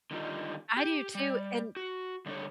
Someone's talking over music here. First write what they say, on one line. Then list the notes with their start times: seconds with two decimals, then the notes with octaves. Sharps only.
I do, too, and
0.11 D3 D#3 G3 D#4 F4
0.77 G4
1.15 G3
1.76 F#4
2.26 D3 G3 D4 A4 C#5